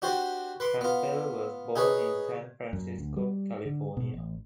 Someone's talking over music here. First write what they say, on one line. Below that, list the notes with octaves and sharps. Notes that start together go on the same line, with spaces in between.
Campbell was born in San Francisco, California.
D4 F#4 G4 C5 D5
B4 C6 D6
B3 F4
D#4 G#4 B4 C#5
F#2
D2
G3
D3
B2
A1